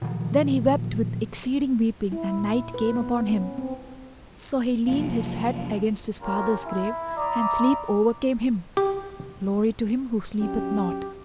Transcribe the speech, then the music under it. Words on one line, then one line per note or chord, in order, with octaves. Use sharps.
Then he wept with exceeding weeping and night came upon him; so he leant his head against his father's grave and sleep overcame him: Glory to him who sleepeth not!
A#2 D#3 F3 F#3
E4
A#2
B4
B3
C#4
C4
C2 F#2 F3 A#3
C#4 F4 G4 A#4
E4
D5 E5 A#5 B5 D6 D#6
G4
F#2 G4